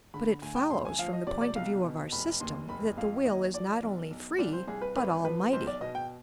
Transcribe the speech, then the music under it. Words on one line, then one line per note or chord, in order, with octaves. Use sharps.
But it follows from the point of view of our system that the will is not only free, but almighty.
D3 B5
D2 G#5
G5
D2 C6
G#5
F3 F5
D#5
C3 D5
D5
B1 F5
B2
F1 B5
D#2 C6
F1 B5
F2 F5
D#2 D#5
F3 D5
B1
B1
C2 D5
C5
C2 G#4
B4
G#1 B4
F3 B4
B1 C5
D5
B2 D#5
G5